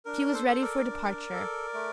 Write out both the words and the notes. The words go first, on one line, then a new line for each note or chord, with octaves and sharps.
She was ready for departure.
D4 A#4
A4 C5
A4
A#4 D5
D4
A4
A3